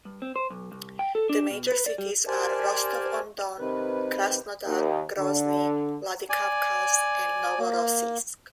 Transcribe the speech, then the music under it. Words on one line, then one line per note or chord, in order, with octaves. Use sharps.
The major cities are Rostov-on-Don, Krasnodar, Grozny, Vladikavkaz, and Novorossiysk.
G2
C4
C5
B1
C2
G5
A4
D4
B2
B4
D5
G3
G4 A#4 C5 D5 G#5 A5
C3 D#3 B4
D#2
D3
D5 G#5
A#3